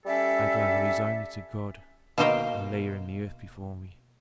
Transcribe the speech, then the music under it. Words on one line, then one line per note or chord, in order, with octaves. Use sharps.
I'd rather resign her to God, and lay her in the earth before me.'
G3 C#4 A4 E5
B2 A#3 D#4 C5 F5 G5